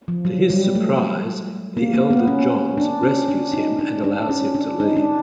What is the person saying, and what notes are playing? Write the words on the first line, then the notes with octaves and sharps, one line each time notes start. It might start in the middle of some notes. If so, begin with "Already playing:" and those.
To his surprise, the elder Johns rescues him and allows him to leave.
F3
F#3
G3
A3
A#3
A#3
B3
C#4
D4
C#4
D4
D#4
D4
D4
C#4
D4
D#4
D4